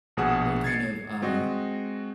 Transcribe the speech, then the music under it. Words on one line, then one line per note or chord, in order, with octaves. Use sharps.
you're kind of, uh,
A#1 B2 G#4 F#5 E7
G#6 A6 C7 C#7
G#3 C4 F#4 D#5